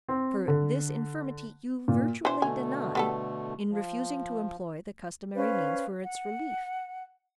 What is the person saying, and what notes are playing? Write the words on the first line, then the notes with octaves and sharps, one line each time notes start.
For, this infirmity you virtually deny, in refusing to employ the customary means for its relief.
C4
D3
A#2
B2 E3 C5
B2 D3 A3 G#5
G3 B3 A4
F3
C#4 B4 C5 F5
F#5